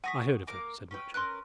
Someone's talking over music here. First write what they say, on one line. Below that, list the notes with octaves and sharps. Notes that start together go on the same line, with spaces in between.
"I heard of her," said Matcham.
F#5 G#5 C#6 D#6 A#6 B6
A#3 A#4 D6
C#4 B4 G5
C#4 A#4 B4 C6 F#6